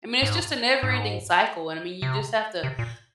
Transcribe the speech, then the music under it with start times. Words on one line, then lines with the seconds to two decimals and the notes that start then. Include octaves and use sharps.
I mean, it's just a never ending cycle, and, I mean, you just have to I
0.22 G#2
0.83 G#2
2.02 C3
2.63 C3
2.79 A#2